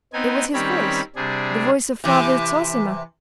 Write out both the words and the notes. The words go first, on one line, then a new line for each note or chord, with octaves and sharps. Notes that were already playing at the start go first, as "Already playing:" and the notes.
It was his voice, the voice of Father Zossima.
B3 C4 D#4 G#5
D#3 G3 C4 C#4 C#5 B5
C3 G3 D4 G#4
C3 E3